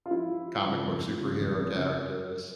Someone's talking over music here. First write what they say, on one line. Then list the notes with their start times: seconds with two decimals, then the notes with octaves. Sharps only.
comic book superhero characters.
0.06 F4
0.11 F3 E4
0.30 F3
0.47 F3
0.66 C#3
0.85 F2
1.02 F3
1.20 C#3
1.39 F1
1.57 F2
1.75 C#3